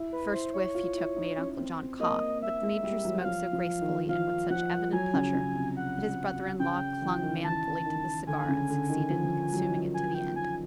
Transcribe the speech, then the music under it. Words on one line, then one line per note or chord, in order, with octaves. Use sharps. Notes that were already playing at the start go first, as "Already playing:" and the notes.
The first whiff he took made Uncle John cough; but the Major smoked so gracefully and with such evident pleasure that his brother-in-law clung manfully to the cigar, and succeeded in consuming it to the end.
Already playing: E4
B4
E4 C5
C#5
F4
E4
D#4
C#4
C4
A#3 D#5
E5
G#3
G3
F#3
F#5
F3 F5
F3
D#3
F3 F5
F3 F#5
F#3 G#5
C#3
C#3
C3
F#5
C#3 G5
E3
D#3
E3 A5
D#3
D3 G#5
C#3
D3
D#3
F3
F#3
G#5
G5
G#5